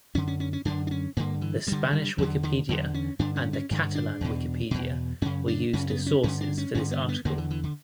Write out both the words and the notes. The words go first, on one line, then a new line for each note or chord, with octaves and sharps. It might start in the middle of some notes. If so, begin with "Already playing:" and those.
The Spanish Wikipedia and the Catalan Wikipedia were used as sources for this article.
F#2 D3 C#4
C#4
C#4
C#4
F#2 D3 D4
D4
C#4
G2 D3 A#3
E3
G2 D3 G3
G3
E2 D3 F#3
D3
E2 D3 F#3
C#4
G2 D3 D4
C#4
C#4
G2 D3
D4
E2 B2
E2 B2
F#2 C#3 C#4
D4
F#2 C#3 C#4
B3
C#4
G2 D3 C#4
D4
C#4
G2 D3 C#4
B3
B3
E2 D3 A#3
E3
E3
D3